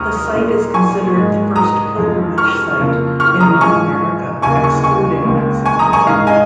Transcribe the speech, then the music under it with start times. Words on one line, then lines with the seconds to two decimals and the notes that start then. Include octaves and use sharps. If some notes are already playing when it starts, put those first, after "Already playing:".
The site is considered the first pilgrimage site in North America, excluding Mexico.
Already playing: D#2 G#3 A#5 C#6 D#6 F6
0.33 A#2 A#3
0.74 G#5 C#6
1.15 G#2 D#3 G#3
1.56 A#5 D#6
1.97 F2 F3 G#3
2.38 C#6 F6
2.79 F2 C#3 F3 A#3
3.20 C#6 F6
3.40 A#5 D#6
3.61 G#2 F3 G#3 G#5 C#6
4.42 D#2 C#3 A#3 G#5 C#6
4.64 G#5 C#6
4.84 G#5 C#6
5.25 C#2 C#3 A#3
5.66 G#5 C#6
5.79 A#5 D#6
5.93 G#5 C#6
6.06 G#2 D#3 G#3 F5 A#5
6.27 D#5 G#5